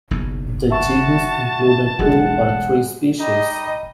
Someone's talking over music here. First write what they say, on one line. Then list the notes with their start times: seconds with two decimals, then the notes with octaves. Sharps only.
The genus includes two or three species.
0.11 F#1 B1 E2
0.70 F#4 E5 A5 C#6
1.99 E1 B1 G#3 G#4 F#5
3.20 G3 D#4 D#5